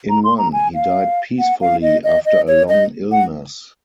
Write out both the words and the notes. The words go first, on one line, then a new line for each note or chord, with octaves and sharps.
In one, he died peacefully after a long illness.
A#5
C6
A#5
G#5
F5
F#5
F5
D#5
D#5
D#5
C#5
D#5
F#5